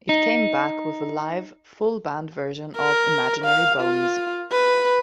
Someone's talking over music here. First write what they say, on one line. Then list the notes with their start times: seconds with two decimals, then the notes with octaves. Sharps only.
It cames backed with a live full-band version of 'Imaginary Bones'.
0.09 D#4
2.77 A#4
3.45 F5
3.80 F4
4.52 B4